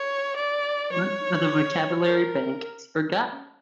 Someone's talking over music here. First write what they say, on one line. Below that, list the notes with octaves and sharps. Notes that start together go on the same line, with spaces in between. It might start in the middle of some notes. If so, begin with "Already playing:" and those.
Much of the vocabulary bank is forgotten.
Already playing: C#5
D5
C#5
A#4